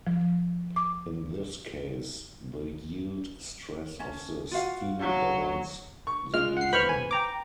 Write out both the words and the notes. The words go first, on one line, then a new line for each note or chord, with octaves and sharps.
In this case the yield stress of the steel governs the design.
F3
D6
C#4 A5
F4 F#4 F5
F#3
C#6
G#3 F4 F5 F6
F#5 C7
B4 C5 B5 C#6 F6 G6
G#5
G5 A#5 D6